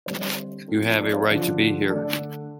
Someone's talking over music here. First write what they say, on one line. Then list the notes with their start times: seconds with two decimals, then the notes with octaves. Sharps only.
You have a right to be here.
0.06 D3 G3 C4 C5
0.21 C5
0.68 F3 A3 C4
0.98 A4 D5
1.13 C5 F5
1.29 D3 F3 D4
1.90 D3 A3 D4 A4 D5